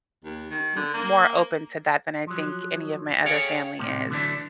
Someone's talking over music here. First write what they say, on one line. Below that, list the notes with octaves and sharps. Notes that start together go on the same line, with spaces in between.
m m more open to that than I think any of my other family is.
D#2
D#3
D3
A#3
F3 F#3
G#4 A4 C#5 F5 G5 G#5
A2 C3 D#3
D3 E3 F#3 A3 B3 D4